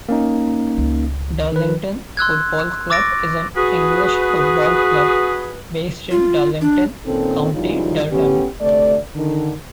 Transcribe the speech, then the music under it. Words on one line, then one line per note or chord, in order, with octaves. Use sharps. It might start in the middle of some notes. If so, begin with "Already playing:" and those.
Darlington Football Club is an English football club based in Darlington, County Durham.
A#3 C#4 D#4
C#2
D#3 B4
C6 E6 F#6 G#6
C#6 D6 E6 A6 A#6 D7
F#4 G#4 B4
F4
D4
A#2 D#3 C4 C#4 A4
F#2 C#3 E3 G3 D#4 F4
A2 B3 C#4 G4
D2 C3 A3 D5
D3 D#3